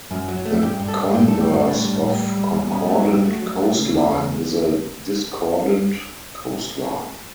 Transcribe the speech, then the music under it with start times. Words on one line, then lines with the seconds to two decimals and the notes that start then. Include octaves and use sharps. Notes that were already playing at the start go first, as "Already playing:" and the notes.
The converse of concordant coastline is a discordant coastline.
0.11 F#2
0.28 F#3
0.45 A3
0.62 G2 G4
0.80 G2
0.88 A4
0.98 G2
1.14 G2 G4
1.28 A4
1.33 A3
1.41 G4
1.50 G2 F#4
1.67 A2 D4
1.84 G3
2.02 A2
2.19 G3
2.37 G3
2.54 G3
2.71 B2 C#4
2.85 A3
2.89 F#3
2.98 F#4
3.07 F#3 G4
3.24 A3 F#4
3.42 F#3
3.59 A3
3.77 C#3
3.94 E2
4.12 E2